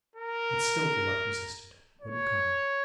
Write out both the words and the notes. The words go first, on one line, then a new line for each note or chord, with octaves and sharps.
But still the luck resisted; wouldn't come.
A#4
C#5